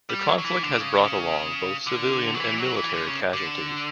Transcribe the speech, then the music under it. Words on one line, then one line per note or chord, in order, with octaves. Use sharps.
The conflict has brought along both civilian and military casualties.
G3
F#3
F#3
E3
D3
C#3
D3
F#3
E3
F#3
E3
D3
C#3
D3